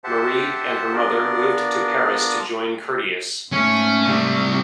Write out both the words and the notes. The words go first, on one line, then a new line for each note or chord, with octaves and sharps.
Marie and her mother moved to Paris to join Curtius.
G4 C5 E5 F#5 A5
B3 D4 F4 A#4 D5
G#2 A3 C#4
C3 G3